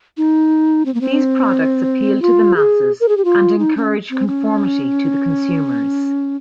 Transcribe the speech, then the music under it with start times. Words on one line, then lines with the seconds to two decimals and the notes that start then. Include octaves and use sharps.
These products appeal to the masses and encourage conformity to the consumers.
0.17 D#4
0.86 C4
0.94 A#3
1.01 C4
2.22 F4
2.56 G#4
3.00 A#4
3.09 G#4
3.17 G4
3.25 F4
3.59 D#4
3.77 C#4
4.10 C4
4.27 C#4